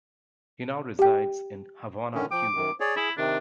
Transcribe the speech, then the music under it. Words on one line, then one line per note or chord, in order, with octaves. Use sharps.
He now resides in Havana, Cuba.
G4 G5
D3 D#3 C#4
F3 G5 D6
F#2 D#3
G#4 C#5 D5
E4 G#4
C3 D#3 D4